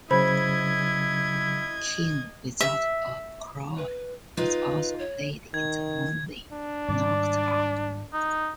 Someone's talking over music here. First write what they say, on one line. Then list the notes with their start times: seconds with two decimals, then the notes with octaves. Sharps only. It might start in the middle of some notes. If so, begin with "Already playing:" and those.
"King Without a Crown" was also played in the movie "Knocked Up".
0.11 C#3 F#3 E4 C5 D#5 B5 G#6
2.60 E5
3.77 B4
4.37 D#4 F4 B4
4.99 C#5
5.54 D#3 G#6
6.52 D4
6.88 G#2 D#3 G3 D5
8.13 D#4